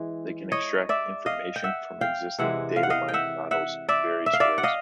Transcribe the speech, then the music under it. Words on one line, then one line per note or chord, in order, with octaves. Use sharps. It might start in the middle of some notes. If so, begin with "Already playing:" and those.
They can extract information from existing data mining models in various ways.
Already playing: E3 G#3
C#5 D#5
D5 E5
D#5 F5
G5
E5 F#5
F5 G5
C3 E3 G#3 E5 F#5
F5
F#5
D#5 F5
G5
E5 F#5
E5 F#5
D5 E5
E5
F5
D5 E5
F#5
D#5 F5